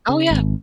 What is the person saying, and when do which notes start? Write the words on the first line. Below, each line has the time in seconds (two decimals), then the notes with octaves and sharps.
Oh, yeah.
0.09 C#3
0.31 G#1